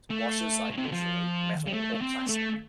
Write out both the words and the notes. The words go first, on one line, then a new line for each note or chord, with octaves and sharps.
Washers are usually metal or plastic.
A3
A2
C3
D3
F3
G3
A3
A3
C4
A3